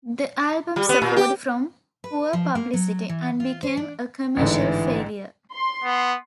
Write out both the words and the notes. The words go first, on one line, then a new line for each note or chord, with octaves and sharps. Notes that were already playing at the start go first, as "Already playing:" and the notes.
The album suffered from poor publicity and became a commercial failure.
G3
B3
A#2
G4
B4
F3
A#3
F#3
E3
F4
C5
D4
A1 G#2 D3 E3
C6
B3